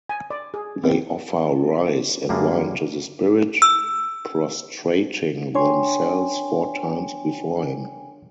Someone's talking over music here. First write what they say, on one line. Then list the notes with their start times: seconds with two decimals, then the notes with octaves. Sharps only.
They offer rice and wine to the spirit, prostrating themselves four times before him.
0.09 G#5
0.30 D5
0.54 G#4
0.84 C4
2.29 F#2 D3 G3 A#3 G#4
3.62 E6
5.55 D4 C#5 G5 G#5 C6